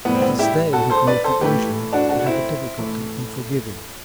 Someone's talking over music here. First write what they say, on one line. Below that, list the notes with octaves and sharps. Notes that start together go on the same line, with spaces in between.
It is they who commit the injury that have a difficulty in forgiving.
A2 G3 B3
C4
B3
E4 G4
F#4 A4
A4 C5
B4 D5
A4 C5
A2 E3 A3 G4 B4
D4 F#4
D4 F#4
F#4
C4 E4
A2 E3 A3